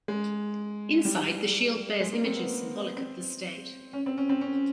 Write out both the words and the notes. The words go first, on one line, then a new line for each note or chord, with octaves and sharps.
Inside, the shield bears images symbolic of the State.
G#3
G3
G#3
A#3
C4
B3
C4
C#4
C4
C#4
C4
C#4